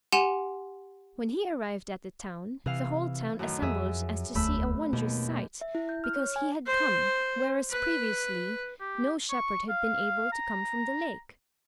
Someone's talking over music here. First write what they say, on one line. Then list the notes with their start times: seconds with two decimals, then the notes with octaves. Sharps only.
When he arrived at the town, the whole town assembled as to see a wondrous sight because he had come, whereas previously no shepherd had been able to come from the lake.
0.12 G4 F#5 G#5 C6 E7 F7
2.66 C3 E3 F5
3.39 F#2 A2 D#3
3.62 F2 G#4 E5
4.35 E1 D2 A3 B5 E6
4.93 D#2 B2
5.61 E5
5.75 E4
5.89 G6
6.04 F6
6.16 C#5
6.36 G#5
6.67 C5
7.71 B4
8.81 G4
9.30 C#6
9.69 F5
10.32 A#5